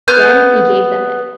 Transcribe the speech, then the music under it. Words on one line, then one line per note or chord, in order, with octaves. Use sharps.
Then he gave them it.
B3 F6 G6